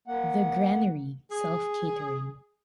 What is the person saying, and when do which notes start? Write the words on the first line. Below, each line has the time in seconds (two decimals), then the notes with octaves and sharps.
The Granary - self-catering.
0.07 A#3 F#5
1.31 G#4